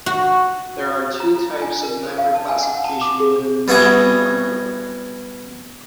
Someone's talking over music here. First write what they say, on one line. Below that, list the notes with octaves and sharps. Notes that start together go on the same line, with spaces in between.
There are two types of member classification within the Michigan Farm Bureau.
F#4
A#5
F4
G#5
A#4
C5
F5
A5
G#5
F#5
A5
D6
G#4
G3 B3 E4 F#4 G#4